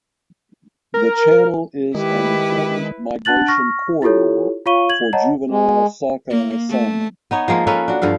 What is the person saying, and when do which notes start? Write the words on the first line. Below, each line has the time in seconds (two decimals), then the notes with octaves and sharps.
The channel is an important migration corridor for juvenile sockeye salmon.
0.94 A#4
1.95 D#3 G#3 E4 G4 B4
3.25 D4 F#5 A5 F#6 A6 F#7
3.48 C#6 F6 A#6
4.02 E4 F4 G4 A4 C#5
4.66 F4 C#5 F5 C#6 D#7 G7
4.89 G#6 F#7
5.13 C#5 D#5 F#5 A5 A#5
5.50 G#3
6.30 A#3
6.69 A3
7.31 B3 D#4 C#5
7.48 F3 G#3 A#3 F4
7.67 A#3 C#4 A4 B4
7.88 D4 F#4
8.02 G2 F3 A4 F5